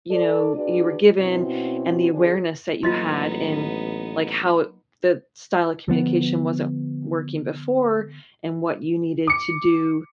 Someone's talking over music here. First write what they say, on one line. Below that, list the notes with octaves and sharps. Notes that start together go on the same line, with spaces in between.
you know, you were given, and the awareness that you had in, like, how the style of communication wasn't working before and what you needed to do,
A4 D5
D4 F#4 G#4 B4 D5
B2 C4 C#4 E4 F#4
D3 F3 C4 D4 G#4
A1 F#3 A#3 B3 D#4 F4 D#5 C6
D3 F3 B3
D6 C#7